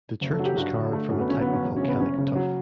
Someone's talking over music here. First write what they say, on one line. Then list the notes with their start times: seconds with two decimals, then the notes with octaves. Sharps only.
The church was carved from a type of volcanic tuff.
0.21 F#1
0.33 A4
0.39 F#3
0.45 G4
0.57 G2 F#4
0.75 D3
0.93 A3
1.10 F#2
1.20 B3
1.29 G1 C#4
1.40 B3
1.47 F#3
1.53 C#4
1.64 E1
1.76 C#4
1.82 C#3
1.88 B3
2.00 F#1 C#4
2.18 C#3
2.35 F#3